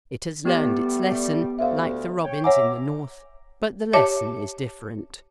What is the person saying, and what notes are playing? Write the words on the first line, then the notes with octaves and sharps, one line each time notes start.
It has learnt its lesson like the robins in the north, but the lesson is different.
G3 A3 B3 G4
D2 E5 F5
C#5 G5
C#5 E5 F#5 G#5 A#5 D6
G4 C#5 E5 A5 D6